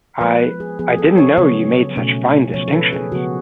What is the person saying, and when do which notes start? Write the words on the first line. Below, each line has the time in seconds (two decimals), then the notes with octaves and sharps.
I — I didn't know you made such fine distinctions.
0.21 F3 G#3 B3 B4
0.60 G#4
0.79 F3 B3 G#4
0.98 A4
1.18 C#5
1.38 C#3 F#3 B3 C#5
1.96 B2 A3 C#4
2.54 F3 B3 C#5
2.68 A4
2.73 B4
2.93 G#4
3.12 C#3 F3 B3 F#4